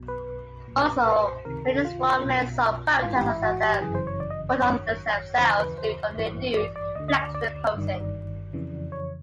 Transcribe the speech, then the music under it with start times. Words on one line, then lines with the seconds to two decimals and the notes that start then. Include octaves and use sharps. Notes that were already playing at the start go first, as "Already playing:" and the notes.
Also, many strongmen sold photos of themselves nude or near-nude, flexing and posing.
Already playing: B1 B2
0.08 B4
0.68 B1 A#2
1.06 B4
1.26 C5
1.45 C#2 C3 D#3 A#4
1.65 A4
1.85 F4
2.25 B1 B2
3.02 A1 G#2 E3 F4
3.16 G4
3.29 E4
3.43 F#4
3.62 G4
3.81 G1 F#2 C#3 E3 G#4
3.95 C5
4.07 C#5
4.20 D5
4.30 D#5
4.50 D5
4.60 G#1 F#2 D#3 C#5
5.39 D#2 C#3 E3 C5
5.59 B4
5.78 C5
6.17 A1 G2 E3
6.57 D5
6.76 D5
6.95 D2 D3 D#5
7.08 D#5
7.21 D5
7.35 D5
7.74 G1 G2 D#3
8.53 F2 C#3 E3
8.92 C#5